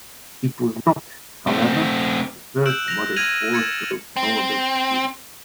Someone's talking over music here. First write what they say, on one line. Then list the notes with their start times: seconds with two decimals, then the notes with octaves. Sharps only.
It was not, however, the first modern four-stroke snowmobile produced.
1.47 A3 C4
2.66 E6 F#6 G6 D7 E7 F#7
2.88 A#6 F7
3.16 F6 G#6 A#6 D#7 F7 F#7
3.53 E6 G#6 A6 C#7 E7 F#7
4.17 C4